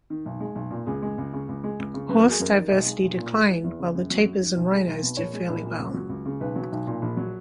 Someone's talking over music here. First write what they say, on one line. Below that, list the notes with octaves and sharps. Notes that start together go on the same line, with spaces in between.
Horse diversity declined, while tapirs and rhinos did fairly well.
D#3
B1
G#3
B1
A#2
C#2 G#4
G#3
C#2
C#3
C#2
G#3
C#2
C#3
F#2 B4
F#3 A#4
G#4
F#2 A#4
D#3
B1 D#5
G#3
B1
A#2
G#3
E3
E2
C#3
F#2
F#3
F#2
D#3
B1
G#3
B1
B2
A#1 C#5
G#3
A#1
A#2
C#2
F#3
C#2
C#3
B1 B4
F#3
B1
A#2
A#1
F#3